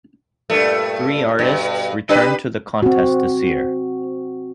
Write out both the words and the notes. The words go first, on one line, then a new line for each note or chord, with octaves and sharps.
Three artists returned to the contest this year.
G2 A#2 A3
G2 B2
D4 G4 B4
C4 F#4